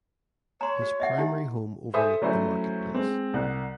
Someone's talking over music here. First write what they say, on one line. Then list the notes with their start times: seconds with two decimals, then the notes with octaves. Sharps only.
His primary home overlooked the market place.
0.61 C#5 A#5 C6
0.82 F#4
1.00 D#5 E5 F#5
1.18 D#4 E4 G4
1.94 A4 C5 E5 G#5 D#6
2.22 F#3 A3 C#4 E4 C5
2.94 G#3 C4
3.34 C2 F#5 F#6